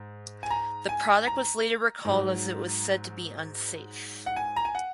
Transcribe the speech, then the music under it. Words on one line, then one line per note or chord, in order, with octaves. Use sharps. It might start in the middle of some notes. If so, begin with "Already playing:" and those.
The product was later recalled as it was said to be unsafe.
Already playing: G#2
G#5
A#5
G#5
A#5
G#2 F#3
F#5
G#5
A#5
G#5
F#5